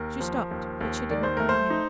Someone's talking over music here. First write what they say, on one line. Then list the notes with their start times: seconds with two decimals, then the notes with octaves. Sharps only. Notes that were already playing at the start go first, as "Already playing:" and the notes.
She stopped, but she did not look at him.
Already playing: D#2 A#4
0.20 F3
0.51 D#2
0.81 D#2
1.10 D#3 D5
1.23 C5
1.37 A3 A#4
1.49 C5
1.70 D#4